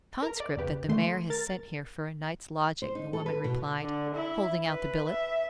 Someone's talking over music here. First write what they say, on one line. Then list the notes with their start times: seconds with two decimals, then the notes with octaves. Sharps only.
"A conscript that the mayor has sent here for a night's lodging," the woman replied, holding out the billet.
0.22 A#4 A#5
0.40 D5
0.57 E2 C#3 G4 B4
0.88 D#3 A3 C6
1.30 A#4 A6
2.82 C5
2.95 D#4
3.13 A4
3.26 B4
3.44 B2
3.82 D3
4.15 E4
4.66 B4
5.09 E5